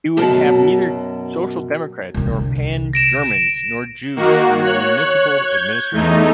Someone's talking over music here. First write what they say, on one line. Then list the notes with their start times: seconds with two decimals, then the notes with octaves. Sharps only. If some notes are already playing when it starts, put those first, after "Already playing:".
He would have neither Social Democrats nor Pan-Germans nor Jews in the municipal administration.
0.17 F#2 B2 A5
2.14 C2 D3
2.93 A#6 D7 E7
4.16 D#3 A#3 F#4
4.62 C#5 F#6
5.46 G6 G#6
5.92 E2 A3 D#4